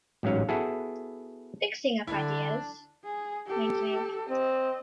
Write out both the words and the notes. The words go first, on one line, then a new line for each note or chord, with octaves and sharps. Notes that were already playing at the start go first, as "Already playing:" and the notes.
Fixing up Ideas.
A1 G#2 F#3 C#4 F5
B3 E4 F#4 G#4 A4
D3 D4 E4
G#4
G4 A4
C4 D#5